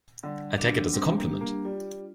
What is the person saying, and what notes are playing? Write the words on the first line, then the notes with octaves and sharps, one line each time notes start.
I take it as a compliment.
D3 G3
D4 G4
G3 C4
A#3
D4 G4
A#3
G3 F4